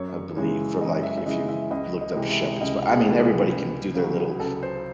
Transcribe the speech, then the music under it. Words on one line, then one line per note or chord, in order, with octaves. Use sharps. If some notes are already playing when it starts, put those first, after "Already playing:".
I believe, for like if you've looked up shepherds p I mean, everybody can do their little
Already playing: F#2 C#5
C#3 E3 G#3 C#5
F#2 D#5
E5
E5
C#3 E3 G#3 D#5
E5
C#2 D#5
D#5
C3 E3 G#3
E5
C#2 D#5
G#4
A4
C3 E3 G#3 G#4
G#4
C#2
C#3 F#3
C#2 A4
C5